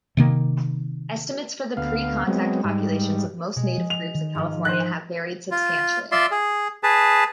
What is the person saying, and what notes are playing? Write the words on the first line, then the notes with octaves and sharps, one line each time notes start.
Estimates for the pre-contact populations of most native groups in California have varied substantially.
C3 D#3 A#3
D2 B3 F5
F#3 G#3 B3 C4
G#2 G3
B2 G#3
F3
F7
D#3
G#2 F3
C5 F#6
F4
F4 D5 E5 C6
G#4
G#4 B4 A5